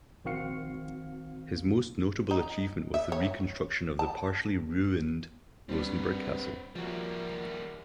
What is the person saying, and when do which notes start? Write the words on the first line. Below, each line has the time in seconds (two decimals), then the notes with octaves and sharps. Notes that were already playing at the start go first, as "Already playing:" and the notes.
His most notable achievement was the reconstruction of the partially ruined Rosenburg Castle.
0.25 A#1 D#3 C4 F#4 F5 C#7
2.31 D#4
2.94 E5
3.12 C#5
3.99 A5
5.69 G3 C4 D4 B4
6.75 F3 G3 A#3 F#4